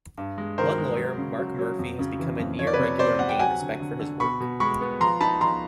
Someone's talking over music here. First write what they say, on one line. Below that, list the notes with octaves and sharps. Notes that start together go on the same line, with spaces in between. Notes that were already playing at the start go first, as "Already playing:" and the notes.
One, lawyer Marc Murphy, has become a near-regular and gained respect for his work.
G2
G#3
D#3 A#4 C5
G#3
F#3
C#3
F#3
F#3
F2
C#3
E3
F2
F3 C#5
D5
B4 C#5
C3
C3 C5 D5
C3 F#5
G5
F#3 F#5 G#5
D3
D3
D3
B2 B5 C#6
B2
G#3 B5 C#6
B3
F3 A#5 C6
D#4 A5 B5
F3 A#5 C6